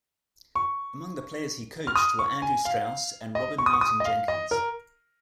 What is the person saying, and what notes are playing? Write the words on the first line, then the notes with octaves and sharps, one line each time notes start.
Among the players he coached were Andrew Strauss and Robin Martin-Jenkins.
C#6
F6
D#6
C#6
G#5
F5
D#5
C#6
D#6
C#6
D#6
D#5
F5
D#5
A#4